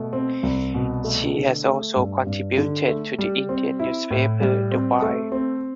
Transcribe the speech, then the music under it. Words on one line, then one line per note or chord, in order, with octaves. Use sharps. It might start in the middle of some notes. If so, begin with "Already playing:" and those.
She has also contributed to the Indian newspaper "The Wire".
Already playing: B2 A3
C4
C2
B2
A3
D3
A3
G2
G2
D3
A3
G3
C4
E4
A2
G3
C4
A3
C4